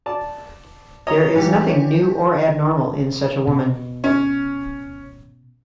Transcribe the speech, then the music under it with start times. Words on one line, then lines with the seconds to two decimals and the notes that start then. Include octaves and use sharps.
There is nothing new or abnormal in such a woman.
0.06 D5 A5
1.07 C#5 D#5 A#5
1.35 G#2 E3 G4
1.69 C#5
3.47 B2
4.04 C#4